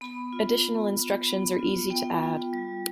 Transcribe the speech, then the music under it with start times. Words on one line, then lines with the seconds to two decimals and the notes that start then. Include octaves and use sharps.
Additional instructions are easy to add.
0.01 B3 B5
0.33 F4
0.65 B3
0.96 F4
1.27 B3 B5
1.59 F4
1.90 B3 G5
2.23 F4
2.53 G3